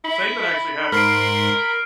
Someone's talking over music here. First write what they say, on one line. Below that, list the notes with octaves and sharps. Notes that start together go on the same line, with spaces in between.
Saban actually had
E4 B5
G#2 A#4 C6 F6 C7 D7